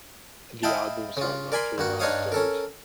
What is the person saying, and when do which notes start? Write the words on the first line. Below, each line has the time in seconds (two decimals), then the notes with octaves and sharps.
The albums are not remastered.
0.63 E4 D#5 F5 G5 A5
1.17 C#3 F4
1.52 A#4 D5 G#5 B5 C6
1.78 G2 A#3 F#4
2.00 G2 D4 D#4 C#5 F5 D#6
2.32 C#4 A4 A#4